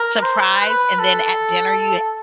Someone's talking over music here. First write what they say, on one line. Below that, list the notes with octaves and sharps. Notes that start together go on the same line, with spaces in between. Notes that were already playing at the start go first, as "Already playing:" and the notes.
"Surprise," and then at dinner, you
Already playing: A#4
C5
B4
A4